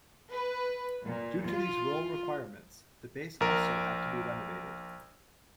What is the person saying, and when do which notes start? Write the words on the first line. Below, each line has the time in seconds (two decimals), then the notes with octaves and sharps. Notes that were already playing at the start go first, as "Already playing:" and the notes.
Due to these role requirements, the base also had to be renovated.
0.31 B4
1.08 A#2
1.51 F4
3.41 A#1 A#4